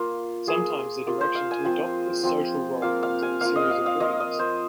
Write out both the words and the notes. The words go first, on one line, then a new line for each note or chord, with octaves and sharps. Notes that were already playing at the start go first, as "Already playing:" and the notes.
Sometimes the direction to adopt this social role comes in a series of dreams.
Already playing: A#3 F4
A#3 F4 G#4
A#3 F4
C5
F5
G#5
F3 C4 F4
F3 C4 F4
A#3 F4 F5
F5
G#5
A#3 F4 F5
D#5
F5
F5
A#3 F4 D#5
D#5
C5